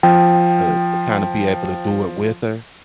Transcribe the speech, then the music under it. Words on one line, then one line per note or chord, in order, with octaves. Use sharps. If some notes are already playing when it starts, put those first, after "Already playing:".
to to kinda be able to do it with her,
F3 G5